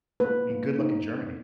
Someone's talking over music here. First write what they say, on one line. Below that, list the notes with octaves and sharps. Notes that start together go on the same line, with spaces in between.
And good luck in Germany.
A#3 B4
A#3
D#4